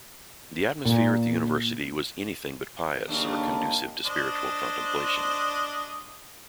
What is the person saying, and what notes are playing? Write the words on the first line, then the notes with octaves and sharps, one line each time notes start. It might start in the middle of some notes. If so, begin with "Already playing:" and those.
The atmosphere at the university was anything but pious or conducive to spiritual contemplation.
A#2
D#2 C#3 A3 D4
D4 C5 D#5